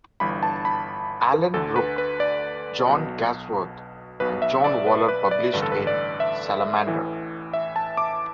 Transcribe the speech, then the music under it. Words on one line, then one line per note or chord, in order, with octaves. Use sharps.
Alan Rook, John Gawsworth and John Waller published in "Salamander".
G1 G2 E3 B5
A5
B5
D2 D3 A4
B4
B4
D5
B1 B2
B1 B2 B4
E5
D5
B4
B4
D5
A1 G2 D3 B4
A4
B4
D5
E5
A1 A2 E3
E5
A5
D6